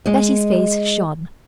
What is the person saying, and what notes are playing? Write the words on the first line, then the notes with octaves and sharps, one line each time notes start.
Betty's face shone.
G#3 D#5